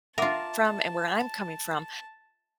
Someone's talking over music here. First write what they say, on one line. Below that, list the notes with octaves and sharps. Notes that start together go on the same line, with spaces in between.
from and where I'm coming from,
F4 A#4 E5 F#5 A5 D6